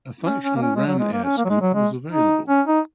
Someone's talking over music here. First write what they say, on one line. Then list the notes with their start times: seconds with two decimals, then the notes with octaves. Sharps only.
A functional Ram Air scoop was available.
0.25 C#4
0.44 C#4
0.56 A#3
0.62 C#4
0.76 G#3
0.87 F#3
0.99 G#3
1.13 A#3
1.24 C#4
1.38 A#3
1.45 F#3
1.50 G#3
1.61 F#3
1.75 G#3
2.12 D#4
2.49 C#4
2.67 D#4